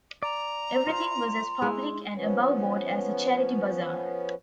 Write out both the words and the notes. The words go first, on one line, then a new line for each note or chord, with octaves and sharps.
Everything was as public and above-board as a charity bazaar.
D5 A#5
F4 C5 C6
G#3 E4
F3 B3 C#4